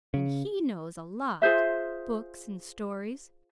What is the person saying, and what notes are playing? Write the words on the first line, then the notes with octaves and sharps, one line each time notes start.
And he knows a lot--books and stories!
C#3
F4 G#4 C5 E5